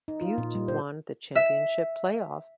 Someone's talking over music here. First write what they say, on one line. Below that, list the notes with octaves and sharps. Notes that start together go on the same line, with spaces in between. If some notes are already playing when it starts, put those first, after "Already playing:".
Butte won the championship playoff.
D#4
F4
A#2
G3
C5
E5